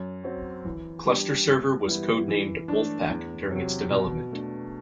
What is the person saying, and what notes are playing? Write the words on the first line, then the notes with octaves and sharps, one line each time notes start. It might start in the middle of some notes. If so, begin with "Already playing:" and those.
Cluster Server was codenamed "Wolfpack" during its development.
Already playing: F#2
F#3 C4
E3
G3 D4 G4
G2
E3 G3 B3 E4
E3
A3 D4
E2
C3 F#3
B2
A3 D4